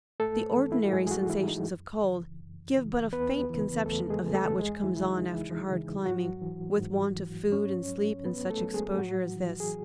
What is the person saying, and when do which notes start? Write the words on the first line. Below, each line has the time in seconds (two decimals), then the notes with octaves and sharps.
The ordinary sensations of cold give but a faint conception of that which comes on after hard climbing with want of food and sleep in such exposure as this.
0.20 G#2 A3 A4
0.56 E3
0.72 E4
0.82 F#4
0.93 G#2 G#3 G#4
1.07 G#4
1.11 F#3 F#4
1.29 E3 E4
1.48 D#4
1.66 F#2
2.03 C#3 E3
2.40 F#2
2.76 C#3 E3
3.13 E2 B3 B4
3.50 C#3 E3
3.86 E2 A3 A4
4.10 G#3 G#4
4.23 C#3 E3
4.35 A3 A4
4.59 E2 G#3 G#4
4.83 E3 E4
4.96 C#3 E3 E4
5.08 D#4
5.32 E2 E3 E4
5.69 C#3 E3
6.06 G#2 F#3 F#4
6.42 E3
6.79 G#2
7.15 E3
7.52 G#2 C#4 C#5
7.89 F#3
8.25 G#2 B3 B4
8.50 A3 A4
8.62 F#3
8.74 G#3 G#4
8.98 A2 F#3 F#4
9.36 E3
9.60 G#4